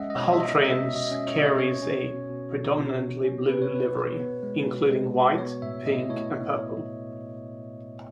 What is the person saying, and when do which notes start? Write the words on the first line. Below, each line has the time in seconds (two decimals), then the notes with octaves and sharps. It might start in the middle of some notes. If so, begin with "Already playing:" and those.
Hull Trains carries a predominantly blue livery, including white, pink and purple.
Already playing: G#3 C#4 D#5 E5 F#5
0.10 D#5
0.16 B2 C#5
0.33 E5
0.40 B2 D#5
0.64 C#4 E5
0.88 B2
0.96 D#5
1.11 C#4
1.27 C#5
1.35 B2 D#5
1.45 C#5
1.59 C#4 C#5
1.82 C#4
2.07 B2
2.30 B2
2.54 B2
2.77 B2
3.01 B2
3.24 C#4
3.48 B3 B4
3.62 C#5
3.72 B3 B4
3.96 B2
4.20 B3
4.43 G#3
4.67 B2
4.90 G#3
5.15 B2
5.38 B3 C#5
5.62 A2 E5
5.86 A2 D#5
6.09 A2 C#5